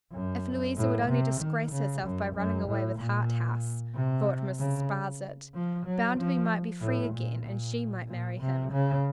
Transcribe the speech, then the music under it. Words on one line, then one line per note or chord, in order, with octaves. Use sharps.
If Louisa would only disgrace herself by running away with Harthouse, thought Mrs. Sparsit, Bounderby might be free again and she might marry him.
F#2
A2
C3
D#3
C#3
F#2
F#2
A2
A#2
C3
C#3
F3
F#3
F3
A2
A#2
A#2
A#2
C3
C#3